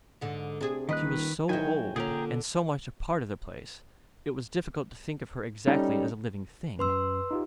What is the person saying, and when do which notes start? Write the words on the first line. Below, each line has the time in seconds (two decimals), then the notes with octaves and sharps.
She was so old and so much a part of the place, it was difficult to think of her exactly as a living thing.
0.21 G#2 D3
0.61 C3 D4 G#4
0.89 D#1 D#3 B4 D#5 F#6
1.49 D#3 F#3 E4 G5 G#5
1.96 A#2 D3 C#4 G#4 G5 A#5
5.67 G3 C#4 D#4 A4
6.79 F#2 B4 C6 E6
7.31 D#4 F4 G4